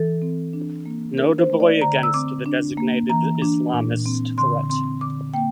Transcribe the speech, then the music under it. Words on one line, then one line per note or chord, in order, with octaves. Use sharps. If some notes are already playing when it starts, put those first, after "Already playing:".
Notably against the designated islamist threat.
Already playing: E3 A4
C4
D4
A#3
D4 A#4
C5
A3
D5
D3 A#5
E6
C4 D6
D4
A#3
E3 A#5
D4
A#2
C4
D3 C6
C4 C6
D3 D6
A#3 G5